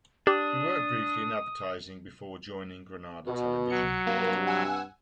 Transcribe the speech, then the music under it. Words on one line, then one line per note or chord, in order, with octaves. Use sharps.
He worked briefly in advertising before joining Granada Television.
D4 G4 D#6
B2
F#3 C#7
G2 C3 A#3
F#5 G#5 E6